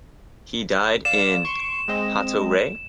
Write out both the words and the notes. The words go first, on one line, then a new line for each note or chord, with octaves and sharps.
He died in Hato Rey.
D5 F5 E7
C6 C#6 D7
G#3 C4 D#5